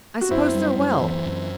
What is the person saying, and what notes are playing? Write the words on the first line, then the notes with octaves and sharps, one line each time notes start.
'I suppose they're well.
F#4
F#2 C4 E4
G3
F#2
E3
F#2